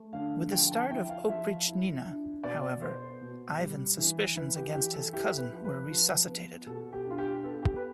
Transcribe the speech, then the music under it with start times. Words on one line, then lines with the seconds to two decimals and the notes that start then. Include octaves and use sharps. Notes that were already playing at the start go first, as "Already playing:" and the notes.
With the start of Oprichnina, however, Ivan's suspicions against his cousin were resuscitated.
Already playing: A3
0.13 D3 F5
0.52 F3 G5
0.72 A5
0.90 E4 G5
1.09 F5
1.28 F3 E5
1.68 E4
2.05 D4
2.43 B2 D5
2.82 B3 C5
3.21 B2
3.59 G3
3.98 E3
4.36 E3 B4
4.56 G4
4.74 E3 G4
4.93 A4
5.13 E4 G4
5.38 B4
5.52 F3
5.64 B4
5.90 F3
6.28 B3
6.66 B2 A4
6.92 G4
7.05 D4
7.10 F4
7.18 G4
7.43 B3 A4
7.62 G4
7.76 B4